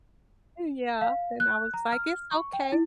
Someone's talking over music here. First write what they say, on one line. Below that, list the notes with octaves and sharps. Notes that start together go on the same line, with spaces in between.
And, yeah, and I was like, "It's okay."
F5
F#6
A#5
F6
C#6
G5
E4